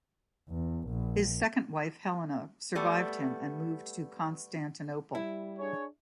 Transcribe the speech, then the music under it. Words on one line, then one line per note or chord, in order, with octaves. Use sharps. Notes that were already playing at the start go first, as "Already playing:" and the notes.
His second wife Helena survived him and moved to Constantinople.
E2
A#1
G3 A3 B3
G3 E4
D4 G#4 C#5